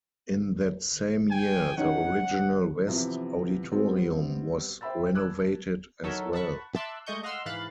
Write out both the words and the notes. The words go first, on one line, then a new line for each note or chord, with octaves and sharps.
In that same year, the original west auditorium was renovated as well.
G5 G#5
D#3 C#4 D#4 F#5
C3 E3 F3 B3
G3 B3 C4
C5 E5 G5 B5 E6 A6
A5 B5 D6 E6 F#6 G#6
F#3 D#4 A4 A#4 C#5 E5
F#5 A5 B5 C#6
E5 A5 C6 D6 E6 F#6
G#3 A3 D#5 C#6 G6
D#5 F5 F#5 C6 E6 F6
G#2 E3 F5 B5 F#6 A6